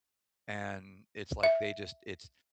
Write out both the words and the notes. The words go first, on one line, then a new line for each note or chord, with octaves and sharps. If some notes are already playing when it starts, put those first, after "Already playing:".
and, it's like they just it's
E5